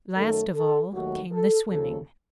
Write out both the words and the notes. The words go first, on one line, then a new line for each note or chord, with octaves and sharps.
Last of all came the swimming.
F#2 D#3 F#3 A3 A4
A4
D#2 D#3 F#3 A3 F#4
A4
D#2 C#3 F3 A4